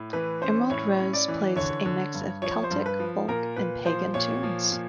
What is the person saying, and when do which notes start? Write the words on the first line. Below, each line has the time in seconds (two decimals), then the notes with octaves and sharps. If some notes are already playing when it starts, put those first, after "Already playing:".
Emerald Rose plays a mix of Celtic, folk, and Pagan tunes.
Already playing: A2
0.13 E3 B4
0.41 C#4 C5
0.70 A2 C#5
0.99 C#4
1.13 D5
1.28 E3
1.56 D3 C#5
1.86 D3
2.14 G2
2.42 F3 C#5
2.63 C5
2.71 G2
2.86 B4
3.00 F3
3.28 A#2 A#4
3.56 A#2 B4
3.85 F3 C5
4.14 A#2 C#5
4.43 F3
4.71 A#2